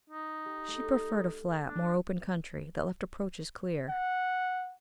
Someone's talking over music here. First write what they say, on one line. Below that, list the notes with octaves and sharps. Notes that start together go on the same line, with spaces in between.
She preferred a flat, more open country that left approaches clear.
D#4
G4
A3
D4
F#5